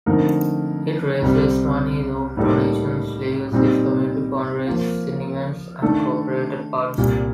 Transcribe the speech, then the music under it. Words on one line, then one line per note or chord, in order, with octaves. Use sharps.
It raises money through donations, legacies, community fundraising, events and corporate partnerships.
F2 D3 A3 D#4 A#4
C2 C3 G3 C4
A2 G3 A#3 D#4 A4
A#2 G3 C4 D#4
F3 A#3 F4
D#3 A3 D4 A4
C2 A#2 G3